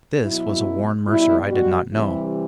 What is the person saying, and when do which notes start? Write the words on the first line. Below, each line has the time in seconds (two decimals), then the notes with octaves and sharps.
This was a Warren Mercer I did not know.
0.23 B2 F#3 E4
1.09 B2 G3 E4
1.51 F#4
1.93 C3 E3 G3 E4